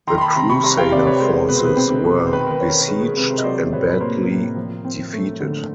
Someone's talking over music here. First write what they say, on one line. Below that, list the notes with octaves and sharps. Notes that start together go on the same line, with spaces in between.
The crusader forces were besieged and badly defeated.
D#3 A#5 C6
C6
A5 B5
C3 A#5 C6
B5 C#6
G3 A#5 C6
F5 G5
C3 C5 D5
B4 C#5
G#3 A#4 C5
B2 B4
C5
B4
C4
B2
C5
D#3 B4
A#4
B4
C#4
A#4
A#4
G#3 B4
B4
C3 B4
A#4 C5
D#5
F#3 C5 D5
A2 B4 C#5
B4
A#3 A#4 C5
A2
F3
C4
A3
D3